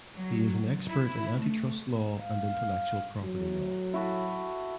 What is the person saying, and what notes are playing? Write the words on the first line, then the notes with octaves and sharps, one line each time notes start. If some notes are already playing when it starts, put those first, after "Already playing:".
He is an expert in antitrust law and intellectual property law.
F#3
E4
A3
F5
A2 F#3
E4 F#4 A4